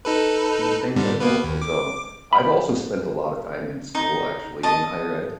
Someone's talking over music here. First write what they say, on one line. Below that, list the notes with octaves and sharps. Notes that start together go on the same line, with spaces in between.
to new things," as well 'cause, um, I've also spent a lotta time in school actually in higher ed,
D#4 A4 B4
G#2 D3 G3
A#3 B3 B4
D#2
D6
B5
D#4
D#5 A5